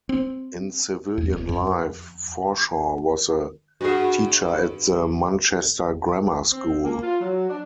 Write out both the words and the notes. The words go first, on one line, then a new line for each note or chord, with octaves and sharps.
In civilian life Forshaw was a teacher at The Manchester Grammar School.
C4
E2
D#1
F2
G2 F#4 G#4
C4
A#3
F4
F#3
D4